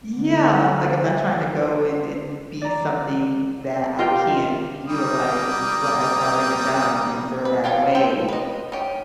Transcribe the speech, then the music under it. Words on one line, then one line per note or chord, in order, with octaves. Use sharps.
Yeah, like, I'm not tryna go and and be something that I can't utilized what I've already done and throw that away.
D3
D5 A#5
F4 G4 A#4 D#5 F5 G5
G3 A#3 D#6
B4
C4 F4 A4 C#5
A4 C5 E5 G5
B4 D#5
C#4 G4